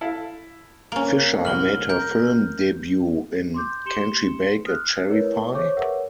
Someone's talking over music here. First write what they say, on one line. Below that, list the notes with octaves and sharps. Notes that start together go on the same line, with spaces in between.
Fisher made her film debut in Can She Bake a Cherry Pie?
E4 A4 F5
A#3 C#4
C2 F#4 F6 F#7 G7
A#4 G6
C6 D6 G6
G4 C6 C#7 E7 G7
D#6 F6 F#6
E4 A#4 B4 C#5 D#5
G#4 C5 C#5 C#6 D6
A#4 B4 C#5 E5 F#5